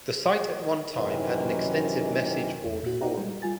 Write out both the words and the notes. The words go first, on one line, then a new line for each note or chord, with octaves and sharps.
The site at one time had an extensive message-board forum.
F#2 C3 D#3 E3
E2
A#2 F#4
D#4 C5 D5 F#5 G5 A#5
G3 G#3
G3 F4 G#5 A6